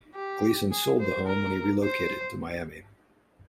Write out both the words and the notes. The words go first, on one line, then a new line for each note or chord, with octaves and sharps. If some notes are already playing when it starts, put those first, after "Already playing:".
Gleason sold the home when he relocated to Miami.
G4
G#4
C5
A#4
C5